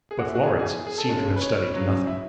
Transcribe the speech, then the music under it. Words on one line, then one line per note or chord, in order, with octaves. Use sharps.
But Florence seemed to have studied nothing.
G#4
F#4
E4
F#4
E3 B3 G#4
G#4
G#4
A4
C#3 G#3 C#4 A4
B4
C#5
C#3 F#3 C#4
E4